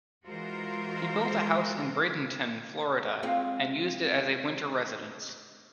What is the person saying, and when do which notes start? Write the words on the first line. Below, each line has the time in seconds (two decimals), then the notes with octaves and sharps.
He built a house in Bradenton, Florida, and used it as a winter residence.
0.25 E3 G#3 F4 F#4 A#4 C5
3.23 G#3 C4 F4